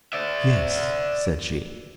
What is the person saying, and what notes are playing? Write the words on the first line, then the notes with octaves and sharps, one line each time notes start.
"Yes," said she.
D5 E5